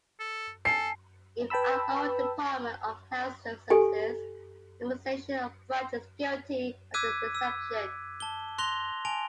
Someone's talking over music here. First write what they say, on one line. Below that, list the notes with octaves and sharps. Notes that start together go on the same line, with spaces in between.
Even our own Department of Health Services, Immunization Branch is guilty of this deception.
A4
A4 G#5 A5 C7
B4 G5 A5 B5 E6
G4 A4 G#5
D6 E6 F#6 G#6 B6 D#7
E6
A5 G7
C6 F#6 A#6 F7 G7
G#5 A5 D7 F7